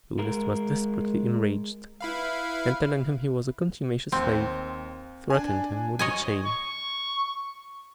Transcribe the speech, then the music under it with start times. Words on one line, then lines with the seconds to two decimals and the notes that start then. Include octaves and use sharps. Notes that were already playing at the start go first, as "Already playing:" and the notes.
Mr. Willis was desperately enraged, and, telling him he was a contumacious slave, threatened him with the chain.
0.19 G#3 A#4
2.01 E4 B4 F5
4.12 D#2 C4
5.30 D4 G#5
5.99 C#5 D#5 G#5
6.46 C#6